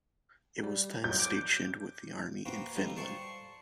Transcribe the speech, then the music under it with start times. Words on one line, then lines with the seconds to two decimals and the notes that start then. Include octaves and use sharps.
It was then stationed with the army in Finland.
0.63 G3
1.04 F#3 G6
1.20 D6
2.45 A#3 F#4 B4 C5 G5
2.75 D3 F3 G3 D#4
2.96 C5 D5 A5 C6 C#6